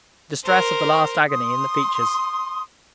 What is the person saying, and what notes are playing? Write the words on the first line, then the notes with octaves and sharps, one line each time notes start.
The distress of the last agony in the features.
A#4 C5
C6 D#6